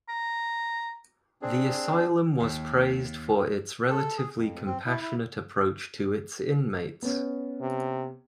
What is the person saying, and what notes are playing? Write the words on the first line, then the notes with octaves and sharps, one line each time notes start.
The asylum was praised for its relatively compassionate approach to its inmates.
A#5
C4 D4 G#4
D#2
A4
G#4
F2
C4
E4
E4
B3 C#4
C3